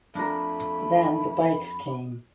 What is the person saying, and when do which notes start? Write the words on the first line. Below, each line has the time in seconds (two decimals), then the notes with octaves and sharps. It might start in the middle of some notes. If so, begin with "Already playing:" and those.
Then the bikes came.
0.15 F2 A3 D4 A#4 B5